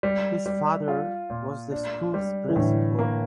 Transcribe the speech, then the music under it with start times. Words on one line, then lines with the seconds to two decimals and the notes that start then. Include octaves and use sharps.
His father was the school's principal.
0.03 G3
0.46 G3
0.88 F4
1.30 A#2
1.72 D4
2.14 G3
2.49 E3
2.56 A2 D3
2.99 A#3